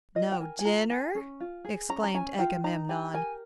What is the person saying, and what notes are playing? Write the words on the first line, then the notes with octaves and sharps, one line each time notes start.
"No dinner!" exclaimed Agamemnon.
F4 D#5
G5
A#4 G#5
G#5
F4 A#5
A#4 G#5
C#4
F4
G#4
C#4 A#5
A#5
C#4 G#5
F4 G5
D#4 A#5
G4 G#5
A#4 G#5